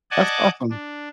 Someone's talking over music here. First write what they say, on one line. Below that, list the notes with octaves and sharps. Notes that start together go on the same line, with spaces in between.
that's awesome.
D5 D#5 F#5 G#5 A5 D6
D4